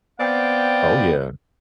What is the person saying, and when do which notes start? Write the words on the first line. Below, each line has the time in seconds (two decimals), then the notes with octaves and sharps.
Oh, yeah.
0.20 B3 C4 D5 F5 G5